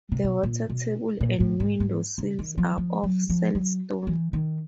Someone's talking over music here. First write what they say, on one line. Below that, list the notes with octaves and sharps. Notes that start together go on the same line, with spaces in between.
The water table and window sills are of sandstone.
C3
B2
A#2
B2
A#2
A2
G#2
G#2
C#3
D#3
F3
F3
F#3
F3
F#3
E3
D#3